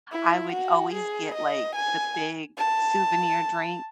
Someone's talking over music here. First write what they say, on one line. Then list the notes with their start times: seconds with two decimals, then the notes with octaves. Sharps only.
I would always get, like, the big souvenir drink,
0.12 E4
0.53 F#4
0.94 G#4
1.34 D#5
1.75 G#5
2.58 A5